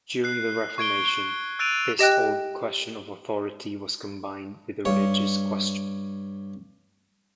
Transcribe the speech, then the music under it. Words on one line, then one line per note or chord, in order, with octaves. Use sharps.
During the Reformation, this old question of authority was combined with the religious question.
F#6 C7
C#6 G#6 D7 G7
E6 F#6 A6 D7 D#7 F7
G4 D#5 G5 F#6
G2 C#5